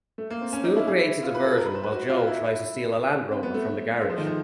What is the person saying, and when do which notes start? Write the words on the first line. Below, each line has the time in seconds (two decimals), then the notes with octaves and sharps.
Spoon creates a diversion while Joe tries steal a Land Rover from the garage.
0.18 A3
0.30 A#3
0.41 C4
0.53 C#4
0.64 D#4
0.76 E4
0.87 G#4
0.99 E4
1.23 F4
1.35 B4
1.46 A4
1.58 A#4
1.66 B4
1.75 C5
1.83 B4
1.92 F#4
2.09 F4
2.27 E4
2.44 E4
3.31 C4
3.43 B3
3.54 A3
4.01 G#3
4.10 F3
4.18 D#3
4.27 F3